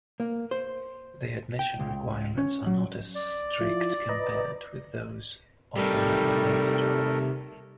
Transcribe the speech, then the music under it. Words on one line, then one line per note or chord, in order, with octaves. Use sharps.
The admission requirements are not as strict compared with those of the Main List.
A#3
C5
G5
C#2
C#4
F#3
D5
F3 E4 F4
B4 D#5 A#5
C3 D#3 G3 A3 A4 A#4